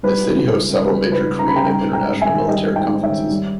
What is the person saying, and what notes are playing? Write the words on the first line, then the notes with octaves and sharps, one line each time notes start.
The city hosts several major Korean and international military conferences.
G3 B4
C#2
C#2
C#3
G3 B4
C#2
B4
C#2
A#5
C#3 B5
G5 A#5
G3 G5 A#5
G#2
G5 A#5
G#2
E5 G#5
D#3
G3 D#5 G5
G#2
D#5 G5
G#2
C#5 E5
D#3
G3